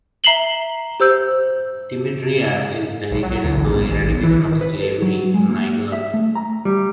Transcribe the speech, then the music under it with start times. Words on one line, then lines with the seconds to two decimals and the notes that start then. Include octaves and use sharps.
Timidria is dedicated to the eradication of slavery in Niger.
0.24 E5 A#5 C7 E7 F#7 G7
1.00 G4 C5 E6 G6
3.11 B1
3.23 F#3
3.44 D2
3.57 A1
3.75 B1
3.89 G#1
4.12 B1
4.24 E3
4.40 D#3
4.61 B4
4.83 A4
5.02 F#3
5.34 G#3
5.49 A#3
5.92 E5
6.14 A3
6.35 A#5
6.65 G3